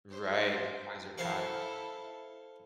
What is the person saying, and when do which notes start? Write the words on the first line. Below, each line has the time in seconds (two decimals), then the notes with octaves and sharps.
Right. She finds her path.
0.11 C5
1.18 E4 A4 C5 F5 C#6